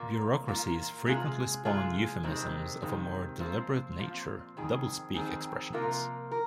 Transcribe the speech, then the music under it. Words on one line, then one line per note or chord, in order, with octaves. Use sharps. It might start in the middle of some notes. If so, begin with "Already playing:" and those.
Bureaucracies frequently spawn euphemisms of a more deliberate nature, "doublespeak" expressions.
Already playing: A#2 A#3 F4
A#2 A#3 F4
C3 G#3 F4 G#4
C3 G#3 F4 G#4
F2 C3 D#3 G#3 C4
F2 C3 D#3 G#3 C4
A#2 F3 C4 F4 C5
A#2 F3 C4 F4 C5
F2 D#3 C4 G#4
F2 D#3 C4 G#4
C3 F3 A#3 F4 A#4
A#4